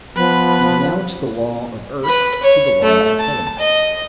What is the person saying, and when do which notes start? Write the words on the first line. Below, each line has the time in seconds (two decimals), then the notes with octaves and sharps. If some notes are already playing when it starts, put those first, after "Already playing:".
He denounced the law of earth to the law of Heaven.
0.16 F3 B3 B4
2.04 B4 B5
2.43 C#5
2.82 A3
3.19 A5
3.59 D#5